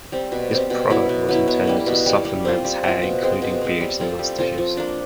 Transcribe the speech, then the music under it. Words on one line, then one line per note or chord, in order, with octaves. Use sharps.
His product was intended to soften men's hair, including beards and mustaches.
G3 C4
B2
G3 C4
B2
F#3 B3 E4
B2
F#3 B3 E4
B2
G3 A#3
B2
G3 A#3
G3
C4 F4
G3
C4 F4
B2
G#3 C4
B2
G#3 C4
G3
C4 F4 A4
G3
C4 F4 A4
F3
A#3 D4